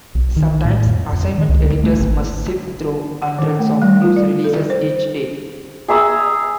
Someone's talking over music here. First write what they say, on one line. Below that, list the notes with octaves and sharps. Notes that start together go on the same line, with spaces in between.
Sometimes, assignment editors must sift through hundreds of news releases each day.
B1
D#3
A2
F2
F2
D#3
C#2
D2
A3
G#1
F#5
D#3
A3
G3
F4
D5
A4
C5
G#4 E5 A#5 E6